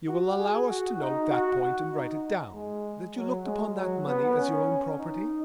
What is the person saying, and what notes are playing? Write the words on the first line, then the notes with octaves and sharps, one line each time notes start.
"You will allow us to note that point and write it down; that you looked upon that money as your own property?"
F#4
G#4
F#4
D#4
F#4
D#4
G#3
F#3
G#3
F#3
B3
C#4
D#4